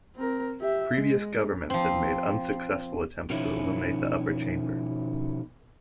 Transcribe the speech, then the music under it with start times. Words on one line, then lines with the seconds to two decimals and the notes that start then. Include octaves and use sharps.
Previous governments had made unsuccessful attempts to eliminate the upper chamber.
0.16 C4 A#4
0.61 G4 E5
0.95 G#3
1.70 F3 C4
3.30 B2 D#3 F3 C#4 E4